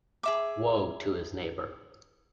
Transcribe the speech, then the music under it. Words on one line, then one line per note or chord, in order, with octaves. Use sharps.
Woe to his neighbor!
G#4 E5 D6